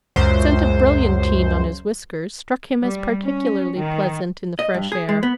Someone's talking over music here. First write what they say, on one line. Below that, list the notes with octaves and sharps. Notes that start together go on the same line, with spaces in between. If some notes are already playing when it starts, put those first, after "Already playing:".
The scent of brilliantine on his whiskers struck him as particularly pleasant in the fresh air.
C#2 F#2 C5
G3
C#4
D#3
D#5
G2
G#4
G#3
B3